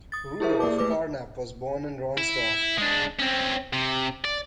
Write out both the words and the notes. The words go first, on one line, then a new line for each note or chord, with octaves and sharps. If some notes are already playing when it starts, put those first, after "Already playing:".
Rudolf Carnap was born in Ronsdorf.
D#6 A6
E4 G4 G#4 A#4 C5 E5
A#3 D5 D6
A3 B4 D6
E4
G#3 D4
C4 C#4
C3
D5